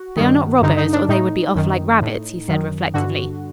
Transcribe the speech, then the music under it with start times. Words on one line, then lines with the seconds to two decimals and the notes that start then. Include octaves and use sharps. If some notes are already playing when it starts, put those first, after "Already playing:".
"They are not robbers or they would be off like rabbits" he said reflectively.
Already playing: F#4
0.16 G2 D#3
0.62 G2 D3 D#4
0.77 D#4
0.93 D4
1.09 A2 D#4
1.55 F#2 D#3
2.02 A2
2.48 F#2 D#3
2.94 G2 D3 F#4